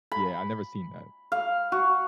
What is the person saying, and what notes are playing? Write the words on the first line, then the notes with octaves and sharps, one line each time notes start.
yeah, I've never seen that.
B5
F5
F#4